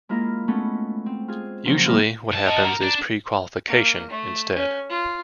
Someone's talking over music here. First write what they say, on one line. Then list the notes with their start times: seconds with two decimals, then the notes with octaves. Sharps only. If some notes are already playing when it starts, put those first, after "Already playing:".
Usually, what happens is pre-qualification, instead.
0.09 G#3 A#3 E4 F4 A#4
0.48 G#3 A3 B3 C#4
1.06 C4
1.28 F4 G#4
1.65 F#2 A#2 C#3 F3 C4 C#4
1.85 G3 A#3 C4 E4 F4
2.32 G#2 A5
2.47 F#4 A#4 D#5 A5
2.64 A#5
2.83 D4
3.68 A#3
4.10 A3
4.55 C#4
4.89 F4